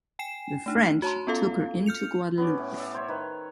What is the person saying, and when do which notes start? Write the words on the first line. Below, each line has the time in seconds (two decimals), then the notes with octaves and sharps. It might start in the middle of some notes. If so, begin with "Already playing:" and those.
The French took her into Guadeloupe.
0.19 G5 G#5 C7 E7
0.66 A3 D4 D#4
1.02 F#4 C#5 A5 A#5 C6
1.27 B3 C#4 F4 A4 F5
1.86 F6 G6 C#7 F7
2.38 B3 C#4 D5
2.58 A2
2.77 D5 E5
2.94 C5 C#5 E5
3.08 D#3 B4